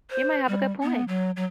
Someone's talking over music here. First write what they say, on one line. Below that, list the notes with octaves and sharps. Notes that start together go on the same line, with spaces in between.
You might have a good point.
C5
G3
B3
F#3
F#3